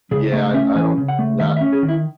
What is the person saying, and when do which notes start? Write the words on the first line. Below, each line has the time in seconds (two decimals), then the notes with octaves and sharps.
Yeah, I I don't, yeah
0.11 C#3 G#4
0.32 A3 E5
0.54 C#4 E5
0.75 E3 G#5
0.98 C#3
1.08 F#5
1.19 A3
1.40 D#3 E5
1.56 E5
1.61 C#4
1.73 G#4
1.83 D#3
1.88 E4